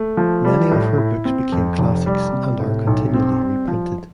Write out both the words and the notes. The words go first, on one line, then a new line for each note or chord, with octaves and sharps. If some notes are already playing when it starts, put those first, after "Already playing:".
Many of her books became classics and are continually reprinted.
Already playing: A3
F3
G3
A2
E4
C4
F2
F1
G3
C3
A2
B1
C4
G3
F3